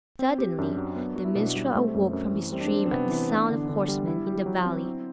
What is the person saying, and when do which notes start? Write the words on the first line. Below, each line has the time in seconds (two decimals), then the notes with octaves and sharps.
Suddenly the minstrel awoke from his dream at the sound of horsemen in the valley.
0.19 C4
0.38 G4
0.58 F#2 D4
0.77 F#3
0.96 B3
1.16 F#4
1.24 E4
1.35 B2 D4
1.56 G3
1.75 A3 C4
1.94 F#2
2.13 F#2
2.33 E3
2.52 G3 C4
2.60 D4
2.67 C4
2.72 D4
2.86 C4
2.91 C3 B3
3.10 E3
3.30 B3 D4
3.49 D3 D4
3.69 D3
3.88 G3
4.07 E4
4.27 G4
4.46 F#3
4.66 C4
4.85 E4